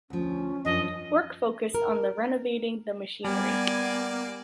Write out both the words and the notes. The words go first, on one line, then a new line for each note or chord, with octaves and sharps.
Work focused on the renovating the machinery.
D2 F3 C#4
F#2 F3 D4 D#5
A#4
G3 A#3 B3 D5 G#5